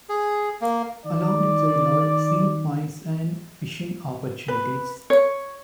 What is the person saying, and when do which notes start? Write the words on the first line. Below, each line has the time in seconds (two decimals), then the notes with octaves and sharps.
Along the trail are scenic points and fishing opportunities.
0.09 G#4
0.61 A#3
1.06 D#3 D5
4.48 B4
5.10 C#5